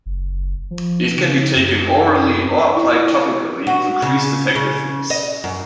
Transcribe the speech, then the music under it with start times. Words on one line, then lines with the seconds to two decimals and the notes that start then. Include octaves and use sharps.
It can be taken orally or applied topically with increased effectiveness.
0.06 F#1
0.71 F3
1.17 C#3
1.56 F#2
2.77 E4
3.67 F#4
4.02 C#3
4.55 C#3
5.10 D#5
5.44 F#2